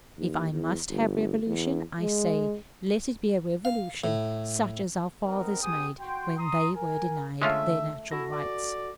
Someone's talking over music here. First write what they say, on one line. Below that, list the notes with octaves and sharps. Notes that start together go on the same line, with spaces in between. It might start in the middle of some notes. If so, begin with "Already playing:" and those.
If I must have revolution, I say let it be a revolution such as our fathers made when they were denied their natural rights.
D#2
E2
G1
E2
G#3
F5
A2
B3 C4 D#4 A#4
B3 G4 G#4 G5 G#5 D#6
F#4 G5 C6
A#5 C6 D#6
A#4 G#5
D3 G#3 A3 C#4 F4 E5
E4 F#4 A4 A#6
D5